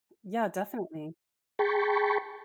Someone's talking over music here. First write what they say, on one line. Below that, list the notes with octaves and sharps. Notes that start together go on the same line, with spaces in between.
Yeah, definitely.
G#4 G5 A5 B5 C#6